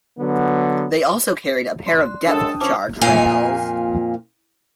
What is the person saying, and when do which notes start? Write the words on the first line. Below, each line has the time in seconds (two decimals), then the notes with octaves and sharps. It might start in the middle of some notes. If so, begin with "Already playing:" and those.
They also carried a pair of depth charge rails.
0.19 D3 F#3 B3
1.86 D5 C6
2.01 F#6
2.27 F#2 G#3 D4 A4 G5 A5 D#6
2.61 C#2 C#4 C5 A5 D6
3.01 F2 A#2 A#3 F5 G#5